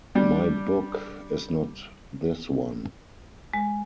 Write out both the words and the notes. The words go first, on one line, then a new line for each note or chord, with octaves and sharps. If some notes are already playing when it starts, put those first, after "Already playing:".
My book is not this one.
G3 D4
G#3